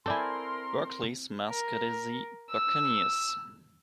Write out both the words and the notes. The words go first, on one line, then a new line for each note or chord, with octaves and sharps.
Berkeley's mascot is the Buccaneers.
C4 E4 A4 A#4 D5 G#5 C6
A#4
E6